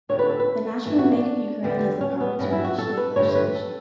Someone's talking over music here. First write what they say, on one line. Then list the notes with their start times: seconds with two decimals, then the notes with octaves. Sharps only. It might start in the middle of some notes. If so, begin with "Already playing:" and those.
The National Bank of Ukraine has the power to initiate legislation.
0.09 D2 D3 G3 B3 C#5
0.19 B4
0.29 A4
0.40 B4
0.85 G2 E3 A3
0.99 F#4
1.12 D4
1.63 E2 D3 G3 B3
2.01 C#4
2.21 B3
2.39 G2 E3 B3 C#4
2.52 E4
2.65 F#4
2.78 A4
2.97 B4
3.16 G2 D3 A3 C#5
3.35 B4
3.55 A4